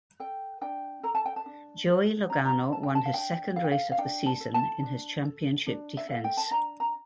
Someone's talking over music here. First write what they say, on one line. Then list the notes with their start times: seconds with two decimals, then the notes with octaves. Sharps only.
Joey Logano won his second race of the season in his championship defense.
0.20 A4 G5
0.61 D4 G5
1.03 A4 A#5
1.15 A5
1.26 G5
1.36 A5
1.46 D4
1.88 A4
2.30 D4 A#5
2.45 A#5
2.72 A4 A5
2.83 G5
2.95 A5
3.06 F5
3.14 D4 G5
3.56 A4 F5
3.64 G5
3.72 F5
3.92 F5
3.98 D4 G5
4.26 A5
4.40 A4
4.54 A5
4.83 D4
5.24 A4
5.67 D4
5.97 E5
6.09 A4 F5
6.24 G5
6.37 A5
6.50 D4 A#5
6.80 A#5